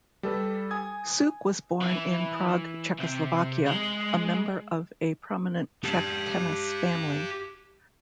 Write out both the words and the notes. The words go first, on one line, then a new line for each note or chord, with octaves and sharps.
Suk was born in Prague, Czechoslovakia, a member of a prominent Czech tennis family.
G3 A4 B4
G#5 D#6 G#6
E3
C3
G#3
G4 A5